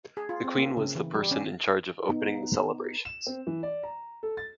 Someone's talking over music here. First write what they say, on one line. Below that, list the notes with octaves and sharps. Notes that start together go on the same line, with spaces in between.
The queen was the person in charge of opening the celebrations.
G#4
F4
C4
A#3
C#3
E3
G3
C#4
B3 D#4
E7
C4
E3
D5
A#5
A4
A6